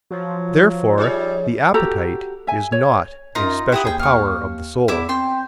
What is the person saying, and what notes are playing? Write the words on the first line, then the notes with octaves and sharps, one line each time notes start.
Therefore the appetite is not a special power of the soul.
F3 F#3
G3 D#4 G#4 C#5
F#4 G4 A4 A#5
E5 G#5
C#5
F#2 D#4 F4 A#5
E4 G4 F#5 D#6
D#2 G#4 G5
F5 C#6
E2 E4 E5 D6
C4 G5 C6